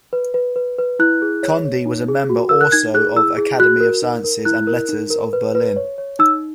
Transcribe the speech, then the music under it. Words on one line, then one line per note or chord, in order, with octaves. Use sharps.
Conde was a member also of Academy of Sciences and Letters of Berlin.
B4
B4
B4
B4
E4 F#6
G#4
C#5
C#5
D#4
G#4
F#4
A#4 E6
F#6
D#4 G#6
G#4 F#6
E4 E6
G#4
F#4 F#6
A#4
D#4
A#4
E4 F#6
A#4
D#4
A#4
B4
B4
C#5
C#5
D#4 E6